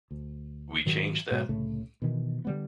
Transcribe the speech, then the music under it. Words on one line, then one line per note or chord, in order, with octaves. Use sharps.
We changed that.
D2
G#2 D#3 F#3 G3
G#2 B2 F#3
C2 A2 C#3 A3
B2 D#3 E3
D3 G3 B3